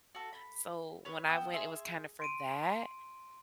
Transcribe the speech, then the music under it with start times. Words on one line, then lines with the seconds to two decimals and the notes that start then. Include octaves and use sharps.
So when I went, it was kinda for that.
0.15 F#4 A4
0.33 B5
1.05 B4 C#5
1.27 B3 G5 E6
1.53 G#4 E5 C6
2.20 C6 D7 D#7